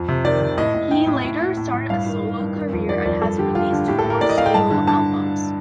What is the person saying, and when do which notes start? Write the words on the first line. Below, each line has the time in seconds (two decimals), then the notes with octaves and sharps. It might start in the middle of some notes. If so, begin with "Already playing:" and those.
He later started a solo career and has released four solo albums.
Already playing: F2
0.08 C3
0.25 D#3 D5
0.42 C3
0.58 A2 D#5
0.74 A2
0.91 A2 G5
1.07 A2
1.24 A2
1.41 A2
1.57 A2
1.74 A2
1.90 G2 F5
2.06 D#3
2.23 D#3
2.39 G2
2.56 D#3
2.73 F2
2.89 D#3 D5
3.06 F2 D5
3.22 G2 A4
3.38 D3 G4
3.55 D3 F4
3.72 D3
3.88 A2 G4
3.99 A4
4.05 A2
4.10 A#4
4.21 A2 D5
4.30 D#5
4.38 A2 F5
4.46 G5
4.54 G2 A5
4.71 D3
4.87 D3 A5